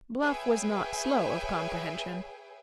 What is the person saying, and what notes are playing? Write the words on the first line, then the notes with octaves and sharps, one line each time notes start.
Bluff was not slow of comprehension.
G#4 B4 C#5 E5 G5 G#5